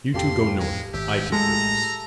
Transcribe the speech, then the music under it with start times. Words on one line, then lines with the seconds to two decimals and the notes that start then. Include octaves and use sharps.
"You two go north--I take ridges."
0.14 F2 A2 G4 A4 F5 C6
0.59 G#3
0.94 G#1 G4 E5
1.32 A2 G#3 A4 A#5